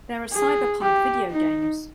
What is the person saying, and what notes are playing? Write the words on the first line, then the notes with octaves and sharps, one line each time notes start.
There are cyberpunk video games.
G#4
G4
D#4